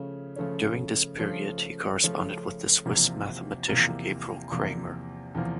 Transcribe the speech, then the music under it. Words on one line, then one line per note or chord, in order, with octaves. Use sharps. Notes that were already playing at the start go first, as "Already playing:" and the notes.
During this period he corresponded with the Swiss mathematician Gabriel Cramer.
Already playing: C#3 F3 A3 C#4
C#3 F3 A3 C#4
C#3 F3 A3 C#4
C#3 F3 A3 C#4
E2 C3 F3 A#3
E2 C3 F3 A#3
E2 C3 F3 A#3
E2 C3 F3 A#3